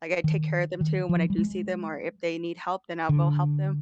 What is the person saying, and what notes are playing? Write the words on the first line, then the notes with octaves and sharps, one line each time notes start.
Like, I take care of them too when I do see them or if they need help then I'll go help them,
D#3
D#3
F3
G3
G#3
D3